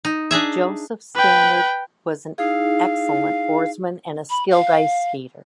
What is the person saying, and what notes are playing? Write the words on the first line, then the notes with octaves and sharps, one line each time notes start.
Joseph Stannard was an excellent oarsman and a skilled ice-skater.
D#4
D4 D#4 G#4 E5
B4 G5
D#4 E4 G#4 F5
B5
F5